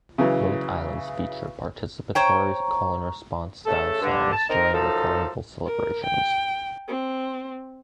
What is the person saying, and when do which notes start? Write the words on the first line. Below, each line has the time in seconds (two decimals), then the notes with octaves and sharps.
Both islands feature participatory, call-and-response style songs during their Carnival celebrations.
0.18 C#3 E3 F#3
2.15 C5 C#5 G5 A#5 C#6
3.66 C#3 A3 A4
4.02 G2 D3
4.32 A5
4.49 C4 D#4 A#4
4.74 F#2 F3 D#4 A4
5.66 A#4
6.05 G5
6.88 C4